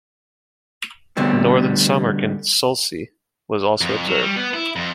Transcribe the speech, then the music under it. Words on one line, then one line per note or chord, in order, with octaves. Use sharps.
Northern Samarkand Sulci was also observed.
D2 B2 D3 G3 C4
F2
F#3
G3
B3
E4
F2